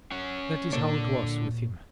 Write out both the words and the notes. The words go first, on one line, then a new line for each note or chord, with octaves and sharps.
That is how it was with him.
C#4 F#5
A#2 A#3 D4 A4 C#5